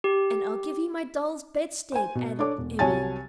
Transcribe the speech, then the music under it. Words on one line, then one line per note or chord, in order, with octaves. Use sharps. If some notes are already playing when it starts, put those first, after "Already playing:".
"And I'll give you my doll's bedstead," added Emmy.
G4
C5 G#5
B2
D4 A4 C#5 D6
E1
C2 F#3 C#5 G#5 A5 A6